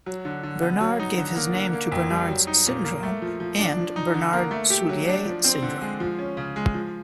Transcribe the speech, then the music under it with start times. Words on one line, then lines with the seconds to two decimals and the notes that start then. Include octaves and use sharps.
Bernard gave his name to Bernard's syndrome and Bernard-Soulier syndrome.
0.06 F#3
0.25 D3
0.43 D3
0.62 B3
0.80 F#3
1.00 D#4
1.18 D3
1.36 A#3
1.55 D3
1.73 A#3
1.92 F2
2.10 G3
2.29 F#3
2.47 D#4
2.66 A#2
2.85 A#3
3.03 A3
3.22 F3
3.40 F3
3.59 D4
3.77 F3
3.96 D#4
4.14 D3
4.33 A#3
4.51 A3
4.70 G4
4.89 F#3
5.07 D4
5.26 F3
5.44 C4
5.62 D3
5.81 G#3
6.00 F3
6.19 C#4
6.37 C#3
6.56 G#3
6.74 F3